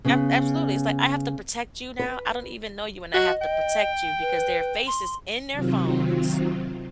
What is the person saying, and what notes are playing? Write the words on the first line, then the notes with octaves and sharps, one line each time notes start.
Ab absolutely, it's like, "I have to protect you now, I don't even know you, and I have to protect you because their faces in their phones"
C#3 B3
B4
F#4 D#5
G5
B4
C6
C3 D#3 F#3 C4 F4